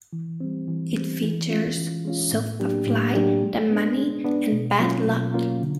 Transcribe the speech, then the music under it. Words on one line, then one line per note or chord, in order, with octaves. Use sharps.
It features Soopafly, Damani and Bad Lucc.
E3
G3 C4
E3
G3 C4
E3
G#3 C#4 F4
E3
G#3 C#4 F4
A2
F#3 A#3 D4 G4
A2
F#3 A#3 D4 G4
G#3
B3 D4
G#3
B3 D4
B2
F#3 A#3 C#4 F4
B2
F#3 A#3 C#4 F4
D3